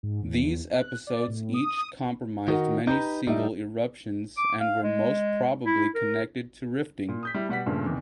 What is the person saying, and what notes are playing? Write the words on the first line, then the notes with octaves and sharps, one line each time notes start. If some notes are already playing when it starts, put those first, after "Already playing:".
These episodes each comprised many single eruptions and were most probably connected to rifting.
G#2
E2
F#6
D5
A2
D#6
D#3 D#4 F#4 A#4 F#5
D#4 G4 B4 A#5 G6
A2 G3 D#4 E5
D6
F5
G#3
E4
A#4
A#2
D#6 G6 B6
G3 E4
B2 G3 F#5 B6
G2 A#2 C#3 F3 A3
E2 C3 D#3 E3